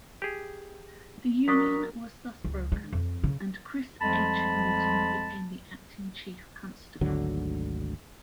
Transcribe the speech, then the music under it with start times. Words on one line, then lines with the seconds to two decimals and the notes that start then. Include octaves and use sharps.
The union was thus broken, and Chris H. Newton became the acting Chief Constable.
0.22 G4 G#4
1.48 F#3 D4 A#4 C#6 D#6 B6
2.44 C#2
2.72 G#3
2.93 F2
3.24 C#3
4.02 F2 F3 G3 G#3 A5 B5
7.01 G#1 D2 D3 F#3